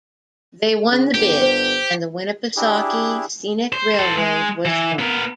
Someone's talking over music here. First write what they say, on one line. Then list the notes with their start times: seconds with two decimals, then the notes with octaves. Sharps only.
They won the bid, and the Winnipesaukee Scenic Railroad was formed.
0.91 C#3
1.15 G1 G4
1.41 C5
2.56 D4 E4 G4 G#4
3.73 C5
3.94 A4 C5
4.18 G#3
4.65 E3
4.99 B3 A#4